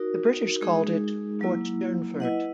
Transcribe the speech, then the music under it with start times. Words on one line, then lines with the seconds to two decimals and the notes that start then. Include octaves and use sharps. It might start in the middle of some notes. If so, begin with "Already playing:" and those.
The British called it "Port Durnford".
Already playing: D#4 F#4 A#4
0.61 G#3 D#4 G#4
1.41 F#3 A#3 E4
2.20 E4 B4 D#5 F#5